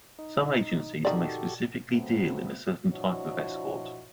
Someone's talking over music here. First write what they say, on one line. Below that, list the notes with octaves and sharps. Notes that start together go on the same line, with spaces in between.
Some agencies may specifically deal in a certain type of escort.
D#4
D#3 F#4 G4 A4 D5
C#3 F#3 A3 B3 C4
F3 D4 E4 F#4 C#5 D#5